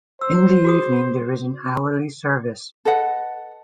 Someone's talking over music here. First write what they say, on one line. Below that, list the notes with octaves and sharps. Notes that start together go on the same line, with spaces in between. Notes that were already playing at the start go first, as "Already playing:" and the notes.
In the evening there is an hourly service.
C5 E6
F#4 G#4 D#6
A4 B4 D#5 F#5